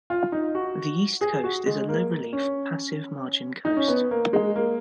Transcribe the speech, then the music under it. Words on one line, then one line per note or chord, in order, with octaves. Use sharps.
The East Coast is a low-relief, passive margin coast.
F4
D#4
F#4
G#4
F#4
G#3
A#3
C#4
D#4
C#4
B3
A#3
G#3
A#3